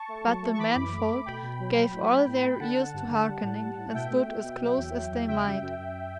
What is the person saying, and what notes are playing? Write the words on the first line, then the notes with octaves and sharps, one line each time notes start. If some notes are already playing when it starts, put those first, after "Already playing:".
But the men-folk gave all their ears to hearkening, and stood as close as they might.
Already playing: A5 C#6
A3
F#3
A3
C#6
E3 B5 D6
F#2
A3
A3
B2 G5 B5
B2
F#3
F#3
A2
A3
A2
A3
D3 F#5 A5
D3
G2
D3
G3
A2
G3
A2
B2 E5 G5
A3
B2
B2
F#3
E2
F#3
E2
C#3 E5 G5
F#2
F#2
F#2